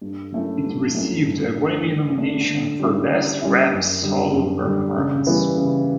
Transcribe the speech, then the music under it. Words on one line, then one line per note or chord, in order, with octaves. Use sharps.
It received a Grammy nomination for Best Rap Solo Performance.
G2
F#3 A3 C#4 E4
G2
F#3 A3 C#4 E4
G2
D3 A3 D4
G2
D3 A3 D4
D3
G3 C#4 E4
D3
G3 C#4 E4
F#2
D3 G3
F#2
D3 G3
C#3
E3 G3 B3 E4
C#3